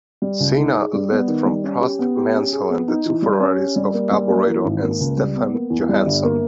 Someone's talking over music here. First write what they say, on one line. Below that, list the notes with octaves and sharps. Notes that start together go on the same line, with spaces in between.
Senna led from Prost, Mansell and the two Ferraris of Alboreto and Stefan Johansson.
G3
C#2
D#4
G#4
G3
B3
D#3
G3
C#4
G4
B3
G4
C#4
G#4
B3
D#4
E3
G3
C#4
G4
G3
A#3
G3
A#3
E3
G#1
A#3
C#2
G3
B3
A#3
E2
G3
G1
A#3